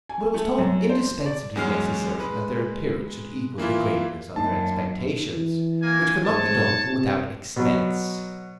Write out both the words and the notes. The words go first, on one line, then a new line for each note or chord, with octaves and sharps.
But it was thought indispensably necessary that their appearance should equal the greatness of their expectations, which could not be done without expence.
G#5
A3
F#2
C5
D5
E2 F#3 G#3 C#4 F6 C7
G#3 B4
E3 A#3 E4 F4
F#2 F#3 A#3 D#4 A5
E3
A#3 G#5
G#2 C#5 A5
C3
B2 F#3